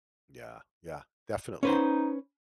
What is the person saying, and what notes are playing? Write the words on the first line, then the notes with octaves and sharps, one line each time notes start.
Yeah, yeah, definitely.
C#4 D#4 B4 C5